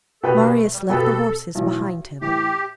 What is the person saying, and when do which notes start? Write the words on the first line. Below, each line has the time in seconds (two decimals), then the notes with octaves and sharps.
Marius left the horses behind him.
0.23 B2 B3 G4 A4 B4
0.40 D4
0.56 A3
0.73 G3
0.89 B2 B3 G4 A4 B4
1.55 B1 A2 E3
2.21 A2 E3 G4